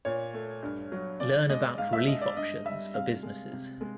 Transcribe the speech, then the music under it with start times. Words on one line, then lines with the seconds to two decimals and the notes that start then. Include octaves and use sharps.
Learn about relief options for businesses.
0.05 A#2 C#5
0.33 A3
0.63 G2
0.92 F#3
1.20 C#3 D5
1.49 G#3 D#5
1.78 G#2 F5
1.93 E5
2.07 G#3 D#5
2.21 D5
2.36 G2 D#5
2.65 G3 E5
2.94 C3 F5
3.23 G#3
3.53 C3
3.81 G#3